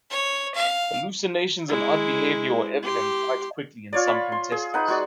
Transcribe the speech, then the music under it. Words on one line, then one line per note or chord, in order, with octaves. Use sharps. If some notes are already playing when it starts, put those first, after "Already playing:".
Hallucinations and odd behaviour were evident quite quickly in some contestants.
C#5
F5
G#3 E4
G4 C6
F4 C#5 D5
B5 C#6
C6
G#4
D#4 B4 F#5
G#3 F#4 D5